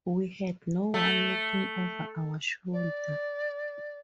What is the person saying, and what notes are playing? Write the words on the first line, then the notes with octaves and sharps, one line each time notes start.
We had no one looking over our shoulder.
A3
D5